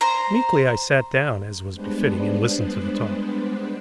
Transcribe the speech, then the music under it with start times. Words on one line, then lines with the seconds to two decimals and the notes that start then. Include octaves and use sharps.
Meekly I sat down, as was befitting, and listened to the talk.
0.01 C5 A#5
1.73 G3 G#3 B3 D4 B4 C5